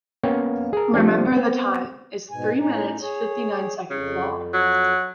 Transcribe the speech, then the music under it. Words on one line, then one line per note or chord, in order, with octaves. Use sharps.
"Remember the Time" is three minutes fifty nine seconds long.
A#3 B3 C#4 C#5 F5 G5
G#4 A#4
F3 G3 A3 C4 D4
B3 C4
G#2 B2 G#5
A2 C#4 D#4
G#4 C#5
F2 C#3
F#3